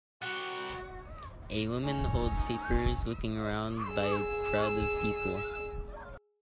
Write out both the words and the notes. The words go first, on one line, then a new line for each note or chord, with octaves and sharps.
A woman holds papers looking around by a crowd of people.
G3 C4 F#4 F#5
A3 C#4 D#4
G#4 E6